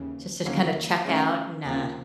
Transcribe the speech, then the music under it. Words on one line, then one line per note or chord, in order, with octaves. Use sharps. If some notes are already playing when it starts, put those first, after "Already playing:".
Just to kind of check out, and, uh
Already playing: D#2 C#3 E3
D#2 D3 F#3 A#3 C#4
C#3 E3 A3 C#4 F#4
D#2 C#3 F3 A#3